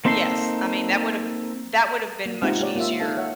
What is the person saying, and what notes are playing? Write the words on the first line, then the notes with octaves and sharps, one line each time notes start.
yes. I mean, that would have that would have been much easier
A#3 C4 D#4 A4 B5 C6
A#3
G#3 C4 D#4 F4 G4 F#5
G4 C#5 D5
A#3 F4 E5
D#4 A4 E5 F5 A5
C#5 E5 F#5